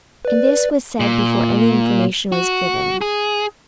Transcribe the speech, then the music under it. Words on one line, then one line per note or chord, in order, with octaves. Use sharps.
And this was said before any information was given.
B4 D5
A#2
F#4
G#4